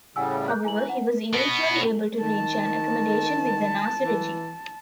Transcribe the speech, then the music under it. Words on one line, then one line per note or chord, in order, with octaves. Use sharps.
However, he was eventually able to reach an accommodation with the Nazi regime.
A2 C#3 G3 F#5 G#5 E6
F#6 G6
E3 G#5 A#5 F#7
F#5
B2 B3
D#3 A5
E3